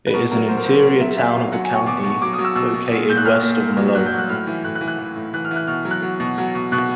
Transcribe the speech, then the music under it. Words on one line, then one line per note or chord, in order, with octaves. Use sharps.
It is an interior town of the county, located west of Malone.
B4
B2 A#4
F#3 A#4
F#3 C5
A#4
F#3 C5
A#4
B2
F#3 E5
F#3 E5
F5
B2
F5
F#3 F#5
G#5
B2
C#6
B2 D6
C#6
B2
C#6
F#3 D6
D#6
F#3
E6
B2 E6
B2
A#2
A#2 G6
F#6
A#2 F6
A#2
A#2
F#3
F#3 F#6
G6
F#3
F#6
A2 F6
E3
A2 F#6
F#6
E3
F#6
E3
A2
E3 F#6
F6
E3
F#6
B2 F6
F#3
F#6
F#3
B2
F#3
B2
B2 F#6